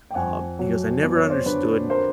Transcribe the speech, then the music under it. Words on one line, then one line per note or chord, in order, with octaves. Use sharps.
um, he goes, "I never understood
G5
F2 F#5 G#5
F#3
B3 D5
C#5
C5 D5
D3 B4 C#5
A#4 C5